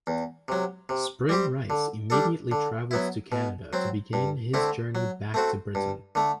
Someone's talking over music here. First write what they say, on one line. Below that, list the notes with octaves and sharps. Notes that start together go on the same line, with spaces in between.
Spring Rice immediately travelled to Canada to begin his journey back to Britain.
E2
C3 F#3
C3
G3 C4 G4
D3
G3 D4 A4
D3
F#3 B3 E4
B2
F#3 C4
G2
D3 A3 C4 E4
F#3
A3 C4 F#4
G2
D3 A3